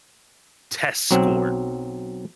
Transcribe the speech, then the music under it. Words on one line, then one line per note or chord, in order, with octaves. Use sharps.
test score,
B1 F#3 C4